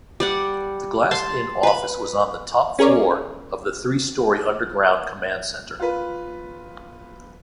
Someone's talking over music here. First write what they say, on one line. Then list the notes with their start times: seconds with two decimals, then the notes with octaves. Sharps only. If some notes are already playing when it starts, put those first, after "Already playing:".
The glassed-in office was on the top floor of the three-story underground command center.
0.20 G3 D5 F#5
1.11 A5 C6
1.63 B4 B5
2.79 C#4 G#4 A#4 C#5 D5
5.80 F4 B4